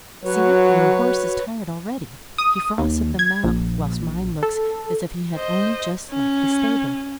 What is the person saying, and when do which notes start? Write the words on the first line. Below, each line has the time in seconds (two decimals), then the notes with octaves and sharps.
See! your horse is tired already, he froths at the mouth, whilst mine looks as if he had only just left the stable.
0.24 F#3 F#4 B4 C#5
2.38 D#6
2.78 D#2
3.19 G#6
3.44 A#1
4.43 A4
5.35 C5 D#5
6.10 C#4